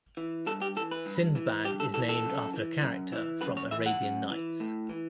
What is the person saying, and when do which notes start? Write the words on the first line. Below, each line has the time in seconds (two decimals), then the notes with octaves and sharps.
Sindbad is named after a character from Arabian Nights.
0.17 E3
0.47 G2 A4
0.62 G4
0.76 E3 A4
0.91 B4
1.06 G2
1.35 E3
1.65 G2 G4
1.80 A4
1.94 E3 A4
2.09 A4
2.24 F#2
2.53 E3
2.83 F#2
3.12 E3
3.41 F#2 B4
3.57 C#5
3.71 E3 E5
3.86 F#5
4.01 F#2
4.30 E3
4.60 A2
4.89 E3